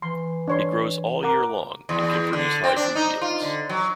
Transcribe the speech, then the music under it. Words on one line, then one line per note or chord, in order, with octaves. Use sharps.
It grows all year long and can produce high fruit yields.
E3 C6
D4 C#5 C6
A#4 F#5 D6
E2
D3
C4
D4
D#4
F4
D3
F#3